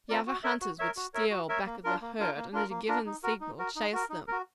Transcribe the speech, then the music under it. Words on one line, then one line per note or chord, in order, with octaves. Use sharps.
The other hunters would steal back of the herd, and at a given signal chase them.
C4 F4 A#4 D5
F#4
A#4 C#5 E5
F#4
A#4 C#5 E5
F#4
A#4 C#5 E5
F#4
A#4 C#5 E5
A#3
D4 F4 A#4
A#3
D4 F4 A#4
A#3
D4 F4 A#4
A#3
D4 F4 A#4
D#4
F#4 A#4
D#4
F#4 A#4
D#4
F#4 A#4
D#4
F#4 A#4